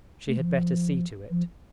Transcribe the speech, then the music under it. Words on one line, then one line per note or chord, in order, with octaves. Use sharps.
She had better see to it.
A3
E3
F3
F3